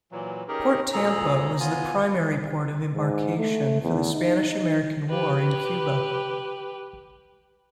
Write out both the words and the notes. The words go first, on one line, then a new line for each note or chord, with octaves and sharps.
Port Tampa was the primary port of embarkation for the Spanish-American War in Cuba.
A#2 E3 F#3
C#4 D#4 G4 G#4 A#4
D2 A#2 G#4 A4 A#5
B3 F4 G#5
G#2
A3
E2
D#4
D#4
G4 B4